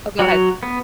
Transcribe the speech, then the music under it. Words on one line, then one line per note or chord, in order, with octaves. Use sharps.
Oh, go ahead.
F#3 F#4 C#5
B3